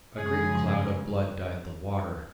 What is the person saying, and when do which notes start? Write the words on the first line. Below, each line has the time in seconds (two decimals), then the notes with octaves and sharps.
A great cloud of blood dyed the water.
0.16 F#2 C#3 F3 G#3 G#4